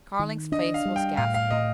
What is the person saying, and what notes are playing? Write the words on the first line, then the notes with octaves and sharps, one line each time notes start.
Carling's face was ghastly.
D#3
D4 D#5
F5
G3
G5
A2 F5
F5
A2 D#5